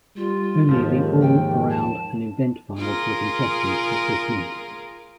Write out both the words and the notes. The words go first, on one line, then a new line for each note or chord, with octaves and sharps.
Only the all-around and event finals were contested at this meet.
G3 F4
D#2 G#2 F3
G5
A5
F4 G#4 A#4